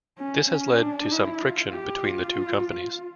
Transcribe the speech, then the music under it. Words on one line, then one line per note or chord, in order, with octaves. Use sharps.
This has led to some friction between the two companies.
C#4
C#4
D4
E4
F4
G4
F4